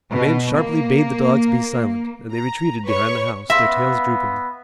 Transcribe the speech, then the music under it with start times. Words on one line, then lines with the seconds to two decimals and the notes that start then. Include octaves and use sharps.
The man sharply bade the dogs be silent and they retreated behind the house, their tails drooping.
0.12 B2
0.57 A#3
2.32 A#5
2.84 B4 C#5 C#6
3.50 B3 E5 F5 C6 E6 A#6 B6